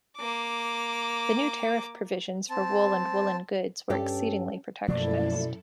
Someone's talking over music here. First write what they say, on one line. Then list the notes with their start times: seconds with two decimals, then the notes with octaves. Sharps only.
The new tariff provisions for wool and woolen goods were exceedingly protectionist.
0.17 A#3 D6
2.50 C4 A5
3.90 G2 C#4 G4 A4
4.88 F#2 B2 F3 A3 A#3 E4 A4 D5